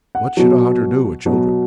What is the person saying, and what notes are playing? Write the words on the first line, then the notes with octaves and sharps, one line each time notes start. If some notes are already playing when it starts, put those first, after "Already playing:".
What should a hunter do with children?
F#5
B2 F#3
B2 F#3